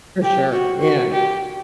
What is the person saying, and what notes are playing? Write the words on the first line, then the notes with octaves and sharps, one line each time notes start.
For sure, yeah, m
G4
F#4
F#4
G4